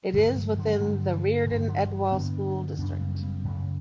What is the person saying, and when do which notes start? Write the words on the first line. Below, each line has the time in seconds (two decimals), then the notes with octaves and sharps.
It is within the Reardan-Edwall School District.
0.14 G2 D3 E3 G3
0.36 F#3 A3
0.53 G3
0.58 D3 F#3
0.80 G2 D3 F#3 A3
1.46 G2 D3 E3 G3
1.68 D3 F#3
1.86 F#3
1.90 E3
2.12 G2 D3 B3 D4
2.78 F#2 C#3 B3 D4
3.01 G3 B3
3.15 C#4
3.23 G3 B3
3.45 F#2 C#3 F#3 A3